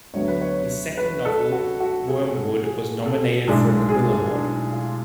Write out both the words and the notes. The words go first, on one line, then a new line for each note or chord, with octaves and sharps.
His second novel, "Wormwood", was nominated for a Quill Award.
D2 D3 F#3 B3 C#5
B4
C#5
B4
A4
F#4
F#4
G#4
A4
G#4
A4
B1 A2 G#3 D4 G#4
G#4
D4
F4